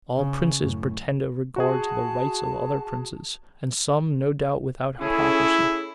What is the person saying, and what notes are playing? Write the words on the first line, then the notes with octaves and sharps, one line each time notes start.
All princes pretend a regard to the rights of other princes; and some, no doubt, without hypocrisy.
C#3
F#2 A2
F#4 G#4 A5
C#4 E4 G#4 A4